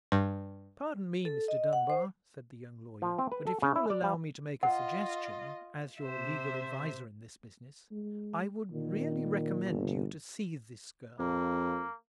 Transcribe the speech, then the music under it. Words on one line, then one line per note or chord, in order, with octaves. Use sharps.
"Pardon me, Mr. Dunbar," said the young lawyer; "but if you will allow me to make a suggestion, as your legal adviser in this business, I would really recommend you to see this girl."
G2
A4
D#5
F#5
C5
F3
C4
B4
A4
C#3
E4
D5
G3
F4 D#5 F#5
C3 C5 E5
G#3
A#2 D#3
G1
F2 A#3